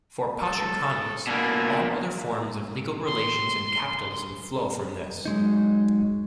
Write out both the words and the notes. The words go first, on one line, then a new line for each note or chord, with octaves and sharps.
For Pashukanis, all other forms of legal relations in capitalism flow from this.
A4
B2 A#3 D4 E4 G#5
C6
F#3 G#3 D#4